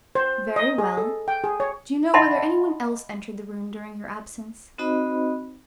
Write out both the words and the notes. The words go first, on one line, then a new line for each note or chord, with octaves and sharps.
"Very well; do you know whether any one else entered the room during your absence?"
C5
D#5
G#4
A4
G5
G#4
C#5
D#5 E5 F#5 A5 B5 C6
C4 D#4 F#4 C5 D#5 B5